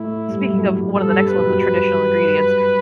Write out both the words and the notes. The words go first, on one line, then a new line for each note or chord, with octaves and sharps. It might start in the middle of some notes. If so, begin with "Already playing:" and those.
speaking of one of the next ones, the traditional ingredients.
Already playing: A2 A3 E4
G2 G3
F#2 F#3
G2 G3
G2 G3 A4
G2 G3
B4
F#2 F#3
F#2 F#3 B4